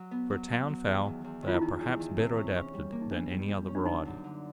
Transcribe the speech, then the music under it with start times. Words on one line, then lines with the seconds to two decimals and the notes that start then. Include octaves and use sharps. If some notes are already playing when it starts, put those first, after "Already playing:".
For a town fowl, they are perhaps better adapted than any other variety.
Already playing: F#3
0.11 B3
0.30 F#3
0.50 F#3
0.68 F#3
0.86 E2
1.05 D#3
1.24 E2
1.42 D#3
1.48 F4
1.54 E4
1.61 E2 D#4
1.81 E2
2.00 D#3
2.17 C3
2.36 C#4
2.56 C#4
2.74 G3
2.92 A#3
3.01 D#4
3.11 B2 D4
3.31 G3
3.49 G3
3.68 C#4
3.75 D4
3.86 D3 D#4
4.05 F#2
4.24 D3